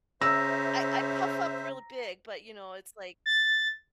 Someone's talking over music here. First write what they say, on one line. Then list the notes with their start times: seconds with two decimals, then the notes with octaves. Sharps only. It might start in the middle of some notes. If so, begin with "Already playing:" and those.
I I puff up real big, but, you know, it's like
0.21 C#3 C5 E5 A#5 E6 A#6
3.26 A6